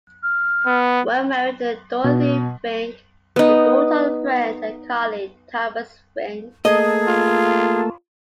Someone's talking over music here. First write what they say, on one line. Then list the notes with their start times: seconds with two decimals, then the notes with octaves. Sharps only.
Worm married Dorothea Fincke, the daughter of a friend and colleague, Thomas Fincke.
0.23 F6
0.66 B3
2.04 B2
3.36 B3 D#4
6.65 A3 A#3 G#4 A4 D#5
7.07 F4